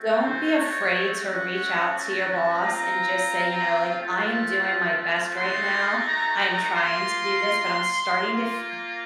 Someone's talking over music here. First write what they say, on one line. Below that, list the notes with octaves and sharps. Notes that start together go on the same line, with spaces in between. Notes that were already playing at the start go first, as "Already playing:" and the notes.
don't be afraid to reach out to your boss and just say, you know, like, "I am doing my best right now. I am trying to do this, but I'm starting to f
Already playing: A3 C4 F#4
C5
C#5
A3 C#4 F#4 F#5
A5
C4 F4 A#5
A3 C4 F4 A5
A3 D#4 F#4 C6
A#5
A#5
A#3 F4 C6
A#3 F4